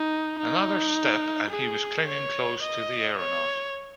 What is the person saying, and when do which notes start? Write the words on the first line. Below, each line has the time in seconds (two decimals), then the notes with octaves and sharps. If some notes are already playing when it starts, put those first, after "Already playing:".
Another step and he was clinging close to the aeronaut.
Already playing: D#4
0.39 D#4
1.51 G#4
2.07 C#5
2.62 D#5
3.18 C#5